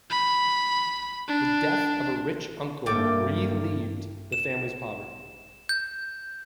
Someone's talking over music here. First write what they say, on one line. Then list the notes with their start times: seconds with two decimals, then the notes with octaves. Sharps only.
The death of a rich uncle relieved the family's poverty.
0.10 B5
1.28 D4
2.86 G2 A3 A#3 G5 D6
4.32 E7
5.69 G6